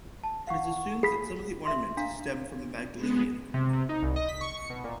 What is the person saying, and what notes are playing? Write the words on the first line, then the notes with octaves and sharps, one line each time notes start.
It is assumed that some of the ornaments stem from the Magdalenian.
A5
F5 F#5 C#6
G#4 B5 B6 C7
E5 C6
D4 F5 A#5
G#3 B3
C3
C3
D#4
C2
D#5
B6
C#6
C#7
B2
A#2